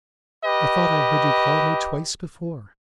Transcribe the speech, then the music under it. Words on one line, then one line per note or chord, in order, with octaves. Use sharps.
I thought I heard you call me twice before!
G4 B4 D#5